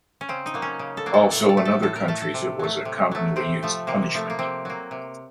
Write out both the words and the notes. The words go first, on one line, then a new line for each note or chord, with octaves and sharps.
Also in other countries it was a commonly used punishment.
C#4
C#3 C4
D#4
F#3 A#3
C#4
C#3
A4
F#3 A#3
A4
A2 A4
A4
A3
A4
A2 A4
A#4
A3 A4
A4
C3
F#3 A3
C3
F#3 A3
C3 C4
F3 A3
C3 A#3
F3 A3
A#3
C3 C4
F#3 A#3
C3